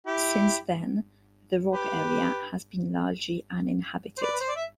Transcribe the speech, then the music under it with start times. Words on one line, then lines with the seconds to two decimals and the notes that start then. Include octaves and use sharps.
Since then, the Rog area has been largely uninhabited.
0.07 E4 G4
1.73 G4 B4
4.18 C5
4.22 B4 D5
4.32 B4
4.41 C5
4.48 D5
4.56 E5